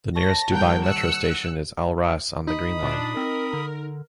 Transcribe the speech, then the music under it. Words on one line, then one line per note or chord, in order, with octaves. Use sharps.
The nearest Dubai Metro station is Al Ras on the Green Line.
C#5 A5 C#6 A#6
A#2 D#3 G3 A#4 F#5 G5 G6
E6 F#6 C#7
D#4 B5 D#6
A#2 D4
C4 A#4
D3